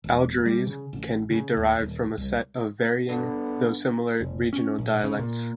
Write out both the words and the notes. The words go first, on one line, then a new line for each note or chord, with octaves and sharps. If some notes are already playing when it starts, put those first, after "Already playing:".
Algherese can be derived from a set of varying, though similar regional dialects.
E1
G3
C#3
A1
C#3
D#2
D#1
C2
G2 D3 B3
F1
C#4
A#1
C#3
A#2